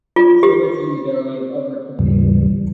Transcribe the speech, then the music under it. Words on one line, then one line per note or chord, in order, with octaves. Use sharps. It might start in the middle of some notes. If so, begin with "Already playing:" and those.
This limits usability of over-provisioning.
F4
G4
D#2 G#2 C#3 E3 G3